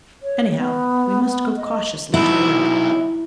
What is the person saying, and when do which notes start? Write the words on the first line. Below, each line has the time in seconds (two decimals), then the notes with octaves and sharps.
Anyhow, we must go cautiously to work.
0.23 C#5
0.57 B3
1.25 B3
1.57 D#5
2.14 F#3 D#4 E4